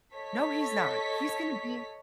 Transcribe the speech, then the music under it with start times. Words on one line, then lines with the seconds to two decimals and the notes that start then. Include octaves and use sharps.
"No, he's not. He's gonna be"
0.13 A4 C#5 D#5 B6